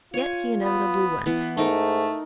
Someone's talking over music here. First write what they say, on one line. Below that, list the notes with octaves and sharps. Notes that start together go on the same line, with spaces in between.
Yet he inevitably went.
F4 C#5 G#5
B3
E3 B3
G#2 A3 D#4 A#4